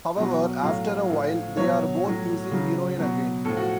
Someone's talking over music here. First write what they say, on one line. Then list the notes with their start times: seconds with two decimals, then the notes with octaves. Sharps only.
However, after a while they are both using heroin again.
0.16 B2 F#3
0.63 A2 F#3 F5
1.10 A2 F3
1.57 B2 F#3 C#5
2.04 A2 F#3
2.51 C#3 F#3
2.99 B2 F#3
3.45 A2 F3 A4
3.57 F#4